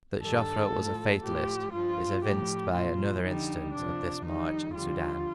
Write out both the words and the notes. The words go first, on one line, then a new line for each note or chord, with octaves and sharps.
That Joffre was a fatalist is evinced by another incident of this march in Soudan.
G2 D#3 G3 A4
A2 F3
A2 F3 G4
G2 F3 F4
A2 F3 G4
A#2 F3 F4
F2 D3 G3 D#4
F2 C3 F3 D4
F2 D#3 G3 D#4
F2 D3 G3 F4